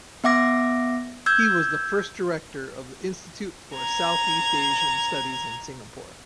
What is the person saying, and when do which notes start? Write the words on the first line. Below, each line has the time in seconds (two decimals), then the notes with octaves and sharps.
He was the first director of the Institute for Southeast Asian Studies in Singapore.
0.24 B3 E5 F#5 D6 A#6
1.26 E6 G6 G#6
3.75 A#5 G#6